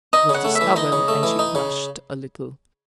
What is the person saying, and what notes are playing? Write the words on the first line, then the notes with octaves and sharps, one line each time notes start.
She was discovered, and she blushed a little.
D#4 D#5
C#3
F#5
A3
E5
E3
D#4 D#5
C#3
A3
E3
D#4
C#3